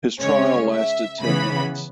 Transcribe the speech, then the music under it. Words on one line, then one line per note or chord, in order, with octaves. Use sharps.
His trial lasted ten minutes.
C#3 G#3 C#4 C#5
E5
C#3 E3 B3 B5